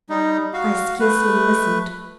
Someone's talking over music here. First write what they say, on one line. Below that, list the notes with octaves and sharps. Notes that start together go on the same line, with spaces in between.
I scarcely listened.
G3 D#4
F#4 F5
A3 B4